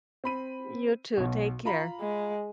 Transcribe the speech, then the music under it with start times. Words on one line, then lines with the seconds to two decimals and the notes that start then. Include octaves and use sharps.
You too. Take care.
0.24 C4 B5 D#7
1.17 B1 B2
1.65 F4 A#5 B5
2.00 G#3